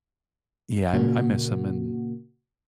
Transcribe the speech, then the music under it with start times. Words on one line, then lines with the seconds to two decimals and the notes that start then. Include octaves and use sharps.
Yeah, I I miss him and
0.94 A#2 C#3 A#3 F#4